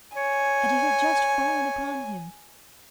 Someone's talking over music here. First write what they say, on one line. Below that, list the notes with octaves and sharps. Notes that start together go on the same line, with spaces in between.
And it had just fallen upon him.
C#5 G#5